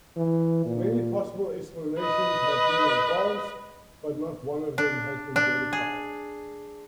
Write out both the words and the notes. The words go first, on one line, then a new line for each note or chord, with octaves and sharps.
Many possible explanations have been advanced, but not one of them has been verified.
E3
A#2
B4 D#5
D4
D4
G#4